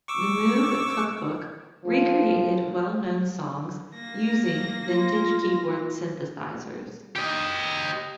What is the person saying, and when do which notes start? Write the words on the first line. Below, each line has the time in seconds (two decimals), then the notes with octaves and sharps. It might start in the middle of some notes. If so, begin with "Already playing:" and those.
The Moog Cookbook recreated well-known songs using vintage keyboard synthesizers.
0.08 C#6 D6 E6
1.84 F3
3.94 A#3 A#6
4.88 F4
7.16 G4 D#5